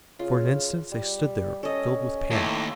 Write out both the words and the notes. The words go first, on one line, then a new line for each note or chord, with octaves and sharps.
For an instant they stood there, filled with panic.
C#3 F4
G3
C#4 A4 D#5
D#2 A2